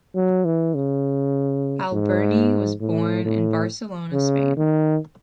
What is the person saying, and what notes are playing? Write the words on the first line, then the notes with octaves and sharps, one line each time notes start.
Alberni was born in Barcelona, Spain.
F#3
E3
C#3
G#2
A2
A2
C#3
D#3